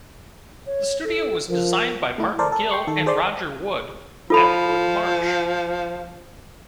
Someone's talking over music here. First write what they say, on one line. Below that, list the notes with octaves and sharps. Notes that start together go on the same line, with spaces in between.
The studio was designed by Martin Gill and Roger Wood at Wood Marsh.
C#5
A4
F3 A#4
A3 E4
A4 A#4 C5 D5
A4
G5 C6 C#6
D#3 A4
G#4 C5 D5 C6
F3 F4 A4 B5